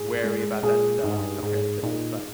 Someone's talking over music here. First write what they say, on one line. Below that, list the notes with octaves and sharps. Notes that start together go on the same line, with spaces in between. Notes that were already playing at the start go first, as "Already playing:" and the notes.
wary about that stuff compared to just, like
Already playing: G#2 G#4
G#3
A#2 G#4
G2 D#4
G#2
G2
G#2 G#4
A#2 D#4